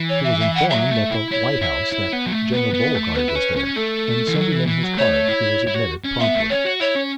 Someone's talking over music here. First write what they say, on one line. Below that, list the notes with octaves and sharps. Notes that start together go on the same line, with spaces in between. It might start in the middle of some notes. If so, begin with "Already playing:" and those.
He was informed at the "White House" that General Beauregard was there, and sending in his card he was admitted promptly.
Already playing: E3
C#5
E5
E5
F#5
F#3 E5
A3
E4
E4 C#5
E4
E4
B3
F#3
A3
B3 B4
B3
A3
B3 B4
E4
C#4
C#4
A3 A4
E3
F#3
E3
E3
F#3
A3 C#5
E4
E4
F#4
C#4
B3 E5
A3
C#4 C#5
F#4
E4 C#5
C#4